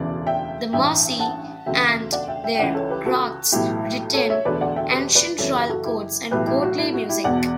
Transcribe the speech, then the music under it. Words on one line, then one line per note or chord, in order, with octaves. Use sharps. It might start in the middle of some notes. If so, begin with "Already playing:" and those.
The Mossi and their griots retain ancient royal courts and courtly music.
Already playing: E1 D2 C#3 E3 D5
E5 G5
A1 G2 E3 E5 G5
F#5 A5
E1 D2 C#3 E5 G5
D5 F#5
E5 G5
E5 G5
G5
C#2 C#3 E3 D5 F#5
A4 C#5
G4 B4
F#4 A4
B1 A2 E3 E4 G4
A4 C#5
C#5 E5
E1 D2 D3 B4 D5
D5 F#5
E5 G5
G4 B4
B4 D5
F#1 F#2 E3 A4 C#5
G4 B4
F#4 A4
E4 G4
B1 A2 E3 G4 B4
E4 G4
F#4
E4
F#4
E4 G4
E1 E2 B2 D5 F#5